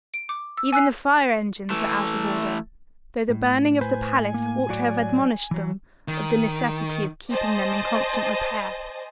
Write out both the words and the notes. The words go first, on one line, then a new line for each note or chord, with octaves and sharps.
Even the fire- engines were out of order, though the burning of the palace ought to have admonished them of the necessity of keeping them in constant repair.
D7
D6
E6
G#5 E6 F#6 C7
E3 A3
A2
B4 C5 G#5
A#3
F#3 F#4 D5
E3 F#3
D#3
C5 D5 D#5 G#5 A5